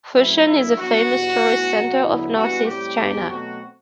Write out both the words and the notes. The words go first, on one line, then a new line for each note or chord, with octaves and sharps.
Fushun is a famous tourist centre of northeast China.
F#2 F#3 A3 C4 E4
G2 D3 F#3 A3 E4
G2 F#3 B3 F#4
E2 B2 G3 B3
A2 E3 B3
B2 F#3 C4
E2 D3 F#3 B3 E4
G2 E3 G3 B3 F#4
A2 G3 C4 G4
E2 B2 F#3 C4
B2 F#3 A3 C4 F#4